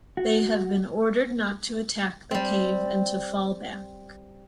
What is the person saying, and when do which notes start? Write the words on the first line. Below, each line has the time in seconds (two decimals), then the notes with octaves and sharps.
They have been ordered not to attack the cave and to fall back.
0.17 F#4
2.31 G3 C4